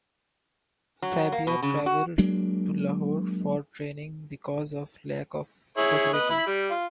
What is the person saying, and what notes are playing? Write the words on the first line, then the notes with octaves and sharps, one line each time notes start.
Sabia travelled to Lahore for training because of lack of facilities.
F#3
A#3
B2
C#3
F#4
F#3 G#3 A#3 D4
E4 G#4 C#5
B4 D#5
E4 B5
G3
F4